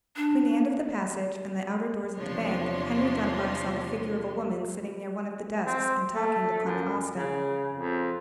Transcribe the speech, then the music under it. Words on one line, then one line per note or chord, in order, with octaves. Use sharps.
Between the end of the passage and the outer doors of the bank, Henry Dunbar saw the figure of a woman sitting near one of the desks and talking to Clement Austin.
D4
E2 C3 F3 D4 C#5 C6
C4
A3
F#2
C#3
F2